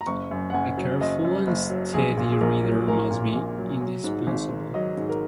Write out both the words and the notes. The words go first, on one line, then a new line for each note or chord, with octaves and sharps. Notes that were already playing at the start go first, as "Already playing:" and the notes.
A careful and steady reader must be indispensable.
A#5
F#1 C#6
F#2
F#5
F#1 G#5
F#3
F#1 D#5
F#2
F#1
F#3
A#1 G#4
A#2
G#4
A#1 A#4
F#3
A#1 A#4
A#2
A#1
F#3
F#3
G#2
G#1
D#3
F#3 D#5
G#2
A#4